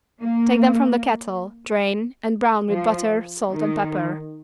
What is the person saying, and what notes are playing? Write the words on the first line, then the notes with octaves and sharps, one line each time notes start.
Take them from the kettle, drain, and brown with butter, salt and pepper.
A#3
F3
D#3